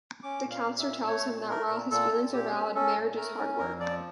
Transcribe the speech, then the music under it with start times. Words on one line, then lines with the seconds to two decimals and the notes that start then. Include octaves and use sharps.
The counselor tells him that while his feelings are valid, marriage is hard work.
0.23 C#4 D6
0.44 A#2
0.51 F5
0.65 A#2
0.79 E5
0.86 A#2
1.07 A3 C#5
1.28 A#2
1.49 A3 A#4
1.70 A#2
1.91 A#2 A4
2.11 A#2
2.33 A#2 G4
2.54 C#4
2.74 C#4 A4
2.96 A#2
3.16 A3 A#4
3.38 C#4
3.58 F2 A#4
3.80 F3 D5